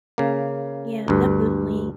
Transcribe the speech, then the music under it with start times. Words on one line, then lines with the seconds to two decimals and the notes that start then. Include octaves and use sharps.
Yeah, definitely.
0.18 C#3 A#3
1.08 D2 G2